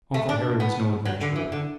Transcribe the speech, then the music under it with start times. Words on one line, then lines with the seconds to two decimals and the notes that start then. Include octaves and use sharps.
Uncle Harry was no adventurer.
0.14 A3
0.29 D4
0.60 B3
1.05 F#3
1.21 D3
1.36 E3
1.52 D3